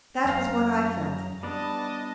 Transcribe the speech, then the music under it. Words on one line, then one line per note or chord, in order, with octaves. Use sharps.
That was what I felt.
F#2 F5 A#5
G3 B3 D4 D#5 A5